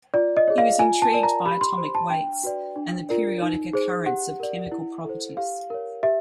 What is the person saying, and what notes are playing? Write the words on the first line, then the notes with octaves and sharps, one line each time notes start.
He was intrigued by atomic weights and the periodic occurrence of chemical properties.
F4 D5
D#5
G#4 C#5
F5
F4 G#5
A5
A#4 D5
A#5
G4 B5
C6
C5
A5
D4 G5
F#4 B4 D5
D4
F4 A#4 D5
D#4
G#4 C5
G4 F#5
A#4 D5
E4
A4
C5
G4 F5
A#4 C#5
G4 E5